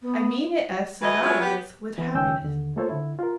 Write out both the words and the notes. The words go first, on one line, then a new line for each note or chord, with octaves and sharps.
I mean it as synonymous with happiness.
B3
D2 E3 F#3 E4 B4 D#5
F#3 G#3 B3 C#4 E4 F4
B3 G4
E3 B3
C#2 D#3 C#4 G5 E6 G6
D#2 D3
A3 A#3 F4 A4 C5 C#5
D3 E4
F4 A#4